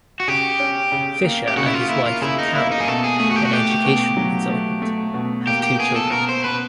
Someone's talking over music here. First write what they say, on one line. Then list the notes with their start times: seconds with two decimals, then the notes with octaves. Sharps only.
Fisher and his wife, Carol, an education consultant, have two children.
0.20 F#4
0.28 C#3 G4
0.60 C#4
0.92 C#3
1.24 A#3
1.47 G4
1.57 C#3 F#4
1.66 E4
1.74 F4
1.89 A#3 E4
2.06 F4
2.22 C#3 E4
2.39 D#4
2.55 A#3 E4
2.72 D#4
2.80 G#4
2.88 B2 A4
3.04 G#4
3.20 A3 G#4
3.31 F#4
3.36 G4
3.45 F#4
3.52 A3 G4
3.85 B2
4.17 F#3
4.50 A3
4.82 A3
5.14 B2
5.47 A#3 G4
5.63 G4
5.79 B2 G#4
5.96 A4
6.12 B2 A#4
6.29 C5
6.44 B2 B4